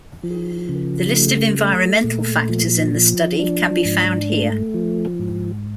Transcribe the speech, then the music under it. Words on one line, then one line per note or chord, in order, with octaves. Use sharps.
The list of environmental factors in the study can be found here.
F3
C#3
A3
A3
A#2
F3
F3
D4
G#2
A3
F3
G#2